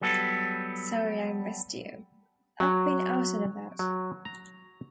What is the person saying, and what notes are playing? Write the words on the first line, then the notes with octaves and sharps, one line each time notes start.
Sorry I missed you – I've been out and about.
F#3 G3 B3 A4
F#3
F#3
A#5